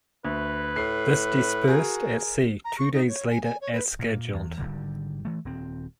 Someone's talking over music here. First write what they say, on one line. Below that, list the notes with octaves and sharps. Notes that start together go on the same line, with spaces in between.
This dispersed at sea two days later as scheduled.
D2 B4
A2 C7
F#4 G#4 A#4
A#5
C#6
D#4
C#5
G#5
G#5
C#5
B4
A#2
E2
G#1 D2 D3 G3
E3 A3
D#1 C4